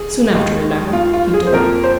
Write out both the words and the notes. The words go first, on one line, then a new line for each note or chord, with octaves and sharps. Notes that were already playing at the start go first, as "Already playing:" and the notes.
"Soon after eleven," he told her.
Already playing: G#4
D#2 D#3 G#3
F4
F4
G#4
C5
F2 F3 A#3 A#4
C5